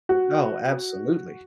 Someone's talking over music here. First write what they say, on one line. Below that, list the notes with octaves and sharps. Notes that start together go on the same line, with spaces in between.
Oh, absolutely.
F#4